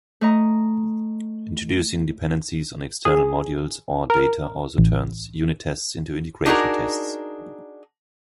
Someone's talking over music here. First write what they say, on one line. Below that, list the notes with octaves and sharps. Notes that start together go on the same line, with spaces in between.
Introducing dependencies on external modules or data also turns "unit tests" into "integration tests".
A3 D#5 A#5
G#4
A#4
A1
D4 D#4 F#4 G#4 A#4